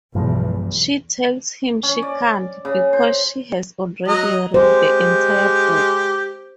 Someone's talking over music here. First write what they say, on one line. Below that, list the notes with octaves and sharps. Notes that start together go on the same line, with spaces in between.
She tells him she can't, because she has already read the entire book.
B1 E2 G2 F3 G#3
C#4
D5
C#3
C5
F#3 D#5 A#5
G#3 G4 C5